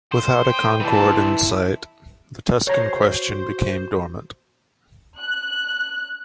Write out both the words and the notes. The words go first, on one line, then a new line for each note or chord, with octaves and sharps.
Without a concord in sight, the "Tuscan question" became dormant.
C5
G5 D#6
E3 C4 A4 A5
E4
F#4 C5 C#5 A#5
F#6